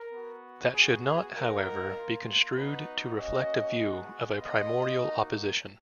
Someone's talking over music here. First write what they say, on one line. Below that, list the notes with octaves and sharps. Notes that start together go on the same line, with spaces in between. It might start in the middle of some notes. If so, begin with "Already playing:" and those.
That should not, however, be construed to reflect a view of a primordial opposition.
Already playing: A#4
B3 F#4
B3 F#4 G#4
G#4
A#3 D#4 F#4 A#4
A#3 F4
B3 D#4 F#4 B4
A#3 C#4 F#4 D#5
G#3 B3 F#4
B3 F4 D#5
A#3 D#4 F#4